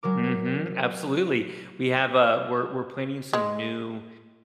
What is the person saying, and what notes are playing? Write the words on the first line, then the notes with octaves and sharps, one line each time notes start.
Mhm, absolutely, we have, uh we're we're planting some new,
F#3 G#3 A#4 D6
G#3